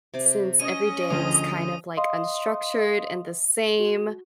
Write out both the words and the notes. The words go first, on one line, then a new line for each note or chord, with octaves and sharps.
since every day is kind of, like, unstructured and the same,
C3 D6
C#4 C#5 D#5 D#7
D2 F3 G#4 D#6
D#5 F5 C6 D#6
F#4